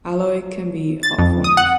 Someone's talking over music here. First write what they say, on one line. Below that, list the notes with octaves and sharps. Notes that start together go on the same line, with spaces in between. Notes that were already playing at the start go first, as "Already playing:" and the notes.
Alloy can be hot formed.
A6
F2
D#6
F#5